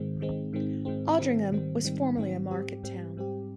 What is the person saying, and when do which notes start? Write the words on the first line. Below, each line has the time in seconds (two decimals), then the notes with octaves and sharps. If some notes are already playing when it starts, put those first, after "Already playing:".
Aldringham was formerly a market town.
Already playing: G#2 D#3 G#3 C4
0.19 G#2 D#3 G#3 C4
0.53 G#2 D#3 G#3 C4
0.85 G#2 D#3 G#3 C4
1.18 G#2 D#3 G3 C4
1.52 G#2 D#3 G3 C4
1.84 G#2 D#3 G3 C4
2.17 G#2 D#3 G3 C4
2.51 G#2 G3 C4 G4
2.83 G#2 G3 C4 G4
3.17 G#2 G3 C4 G4